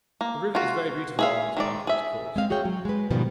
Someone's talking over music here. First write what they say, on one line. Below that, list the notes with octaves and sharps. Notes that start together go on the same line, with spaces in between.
The river is very beautiful along this part of its course.
A#3
F4 F#4
G#4 E5 F5
D#3 G#3 D5
G#4 E5
G#3 C4 F5
F#4 G#4 C#5 G5
F#3
G#3 B4
G#2 B2 D#3 F3 G3